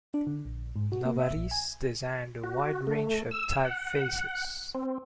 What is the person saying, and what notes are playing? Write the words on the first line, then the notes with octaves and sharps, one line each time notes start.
Novarese designed a wide range of typefaces.
D4
D3
A#1
G#2
F#4
A#3
E5
A#1
G#5
F#4
A3
E6
F#5
C4